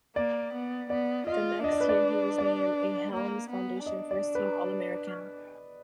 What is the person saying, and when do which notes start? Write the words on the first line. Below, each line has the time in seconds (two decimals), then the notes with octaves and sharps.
The next year, he was named a Helms Foundation first-team all-American.
0.15 A#3 D5
0.53 B3
0.90 B3 D5
1.27 F4 D#5
1.63 D4 D#5
1.72 D5
1.80 B4
1.89 D5
2.38 D5
3.13 A#3
3.49 B3
3.86 D4 D#5
4.11 D5
4.35 B4